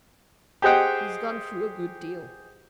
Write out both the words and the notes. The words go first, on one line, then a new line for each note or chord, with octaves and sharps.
He's gone through a good deal.
G4 G#4 C5 D#5 F#5 G5